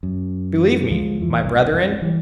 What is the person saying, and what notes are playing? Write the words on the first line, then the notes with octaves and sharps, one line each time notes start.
Believe me, my brethren!
F#2
D2 F3 G#3
F2 E3 F3
F1 C2
C2 F#2
E3 G3